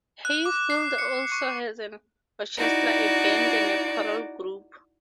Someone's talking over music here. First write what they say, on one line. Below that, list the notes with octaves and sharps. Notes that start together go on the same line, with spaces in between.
Hayfield also has an orchestra, a band and a choral group.
F#6
D6
C7
C#7
C#6
D#4 E4 F#4 D5